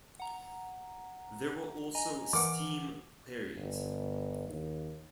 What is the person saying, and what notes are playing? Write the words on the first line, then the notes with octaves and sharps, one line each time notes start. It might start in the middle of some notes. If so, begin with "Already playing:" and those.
There were also steam wherries.
F#5 A#5
D#5 G#5 A#5
E3 A#4 F#5 D6
G1
D#2